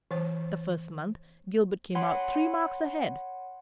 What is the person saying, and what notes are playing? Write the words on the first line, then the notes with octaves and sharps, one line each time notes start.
The first month Gilbert came out three marks ahead.
E3 C5
C#5 F#5 G#5 B5 C6